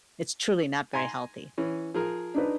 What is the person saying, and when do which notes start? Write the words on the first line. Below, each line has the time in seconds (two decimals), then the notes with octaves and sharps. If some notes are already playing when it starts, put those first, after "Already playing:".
it's truly not very healthy.
0.93 G#5 A#5 C6
1.58 E3 C#4
1.94 F3 G#4 A#4
2.34 D4 D#4 B4